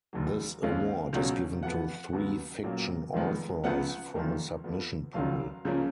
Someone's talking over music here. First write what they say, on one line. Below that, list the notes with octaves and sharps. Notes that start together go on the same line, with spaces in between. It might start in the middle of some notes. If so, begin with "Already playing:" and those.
This award is given to three fiction authors from a submission pool.
F1 D#2 D#3 F#3
D#2 C#3 G#3 C#4 F5
C#2 B2 F#3 C#4
F2 F3 B3 F#5
D#2 C#3 F#3 B3
B1 A#2 F#3 A#3 C#4
F1 F2 D#3 G#3 B3
C#2 C#3 F3 B3 F#5
F#1 F2 D#3 A#3
F2 F3 B3
F1 D#2 D#3 F#3 C#4 F5
C#2 C#3 F3 A#3 C#4